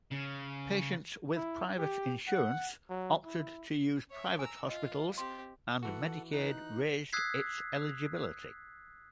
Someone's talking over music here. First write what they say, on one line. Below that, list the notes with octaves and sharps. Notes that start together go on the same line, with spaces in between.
Patients with private insurance opted to use private hospitals and Medicaid raised its eligibility.
C#3
E4
G4
F#5
F#3
E4
C#5 E5
G#5 A#5 E6
F4 D#5
C4 G4 C6
E3 F#4 A4 F#5
D#4 F#6
D#6 E6 F#6 G#6 B6 C7